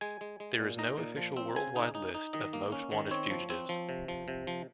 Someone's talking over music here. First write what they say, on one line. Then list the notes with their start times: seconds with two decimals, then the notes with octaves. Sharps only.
There is no official worldwide list of most wanted fugitives.
0.01 G#3 G#5
0.21 G#3
0.40 G#3
0.60 A#2
0.79 D#4 A#5
0.97 A#2
1.17 F3
1.37 C4
1.56 C#3 G#5
1.76 D#4
1.95 D#4
2.15 D#4
2.34 D#3 D#5
2.53 A#3
2.72 C#4
2.92 D#3
3.11 C4 C#5
3.31 F3
3.50 C4
3.69 F3
3.89 C3
4.08 F3
4.28 C3
4.47 F3